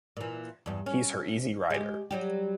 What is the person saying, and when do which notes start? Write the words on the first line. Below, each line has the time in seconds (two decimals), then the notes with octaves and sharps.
He's her easy rider.
0.17 A#2 E3
0.66 E2 G2
0.86 C#4
1.70 G#3 G4
2.11 F#3 G3 G4